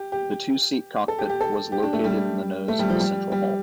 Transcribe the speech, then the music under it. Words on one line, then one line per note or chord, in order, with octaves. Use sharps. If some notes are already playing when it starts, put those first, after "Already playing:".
The two-seat cockpit was located in the nose of the central hull.
Already playing: G4
G4
A4
G4
G4
A4
G4
D4
A3
G3
A3
G3
F3
G3
G3